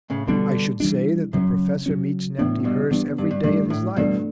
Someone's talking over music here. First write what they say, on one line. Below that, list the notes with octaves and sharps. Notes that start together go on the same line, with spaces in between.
I should say that the professor meets an empty hearse every day of his life.
A2 C#3
B2 D3 E3 G3 D4
E3 G3 D4
F#2 C#3 F#3 C#4
C#3 F#3 C#4
A2 E3 B3 D4
G2 B2
G2 E3 B3 D4
G2
G2
G2 E3 A3 D4
A2
G2 B2 E3 A3 D4